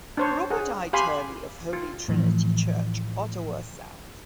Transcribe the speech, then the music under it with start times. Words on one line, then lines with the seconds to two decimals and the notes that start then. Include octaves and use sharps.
Robert I. Turley, of Holy Trinity Church, Ottawa South.
0.17 D4 C5 C#5
0.51 G#4 F#5
0.93 G4 F5 G#5 B5 C6
1.73 F4
2.08 A2 E3 F3